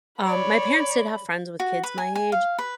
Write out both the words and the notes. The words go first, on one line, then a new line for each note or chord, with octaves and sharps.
um, my parents did have friends with kids my age,
C#5 D5 B5
F#4
B4
G#5
G#5
F5
B4